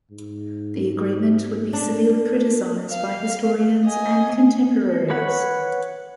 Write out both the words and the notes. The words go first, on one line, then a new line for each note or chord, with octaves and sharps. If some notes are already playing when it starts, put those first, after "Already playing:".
The agreement would be severely criticized by historians and contemporaries.
G#2
D4
F5
D#5 G#5
B4 C#5 F#5 B5